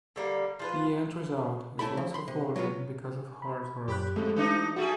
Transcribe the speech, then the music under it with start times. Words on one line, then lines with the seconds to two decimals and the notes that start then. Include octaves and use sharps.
The end result is loss of volume because of heart rot.
0.16 D3 G3 A#3
0.59 F3 F4 B4
1.79 C#2 A3 E4 A4 B5
1.97 F3
2.14 B5 C6
2.28 C3
2.56 F#3 G#3 B3 F4
3.42 B5
3.88 F#2 G4 B5 F#6
4.16 F2 A2 G#3 A3 A4
4.36 E3 D4 D#4
4.76 G3 A3 F#4 G#4